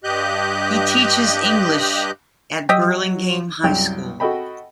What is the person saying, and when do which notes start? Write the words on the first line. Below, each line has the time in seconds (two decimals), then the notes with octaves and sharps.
He teaches English at Burlingame High School.
0.04 G2 G4 D#5 F#6 G6
2.69 F#3 G4 D#5 E5
3.64 C2 F#2 G5
4.20 F#4 A4 D#5 G5 B5